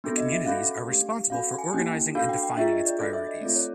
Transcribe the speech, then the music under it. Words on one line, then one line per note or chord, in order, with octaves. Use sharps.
The communities are responsible for organizing and defining its priorities.
B3 D4 F#4 A4
D#5
E5
C#4 F#4 A4 F5
A3 D4 G4
C#4 F#4 A4 F5
F#5
G#5
A#3 C#4 E4 G4 G5
D4 F#4 A4 F5
G5
G5
D4 F4 G#4 E5
D#5
D5
D4 F#4 A4 D5
E5
D#5
A3 C4 F4 A4 D5
C#5